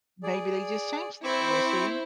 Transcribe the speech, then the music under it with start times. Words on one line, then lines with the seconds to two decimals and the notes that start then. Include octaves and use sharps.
maybe they just changed it, we'll see.
0.23 G#4 D5
1.24 C4 E4 C5 C#6 D6